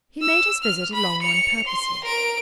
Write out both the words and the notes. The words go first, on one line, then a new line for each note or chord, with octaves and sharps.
He made his visit a long one purposely.
E6
F6
B5
C#7 F7
C6
A#4 D7